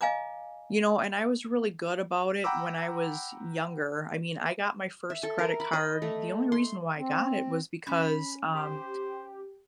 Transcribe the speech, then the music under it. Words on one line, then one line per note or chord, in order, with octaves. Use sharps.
you know, and I was really good about it when I was younger. I mean, I got my first credit card the only reason why I got it was because, um,
D#5 F5 G#5 A#5 D6
F#5 G5 A#5 B5 D6 E6
E5
A4
A#4
B5
D#5
A3
C6
C4
C#4 G#5 B5
G4 C5